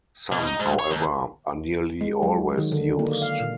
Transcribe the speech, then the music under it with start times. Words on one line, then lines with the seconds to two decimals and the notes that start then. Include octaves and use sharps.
Some, however, are nearly always used.
0.32 B2
0.47 D#4
0.60 G#2
0.79 C#5
0.90 D#2
2.01 G#3
2.23 F#3
2.58 D#3
2.72 D3
2.99 A#3
3.22 F5
3.40 A#2